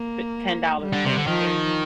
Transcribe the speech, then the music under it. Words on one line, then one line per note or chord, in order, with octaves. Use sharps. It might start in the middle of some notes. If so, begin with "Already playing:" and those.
t ten dollars for a steak.
Already playing: A#3
G3
D3
C3
D3
D#3 F3